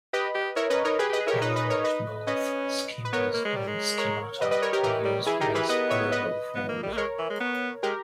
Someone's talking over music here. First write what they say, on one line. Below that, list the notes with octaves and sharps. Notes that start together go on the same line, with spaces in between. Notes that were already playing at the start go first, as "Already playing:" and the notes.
In English, both "schemas" and "schemata" are used as plural forms.
G4 B4 D#5
G4
E4 A#4 C#5
C#4 B4 D#5
D#4 A#4 C#5
G4 G#4 B4
G4
B4 D#5
G#4
E4 G4 A#4 C#5
D#4 B4 D#5
B4 D#5
A#4 C#5
B4 D#5
C#4 B4 D#5
B4
B3 A#4 C#5
A#3
G#3
G3
G#3
A#4 C#5
G3 B4 D#5
B4 D#5
A#4 C#5
G4 A#4
E3 G4 A#4
G3
E3 E4 G#4
D#3 G4 A#4
E3 G#4 B4
B3 B4 D#5
C#5 E5
B4 D#5
B3
A#3
G3
A#3
G#3 A#4 C#5
E3
G#3
B3
G#3 G4 A#4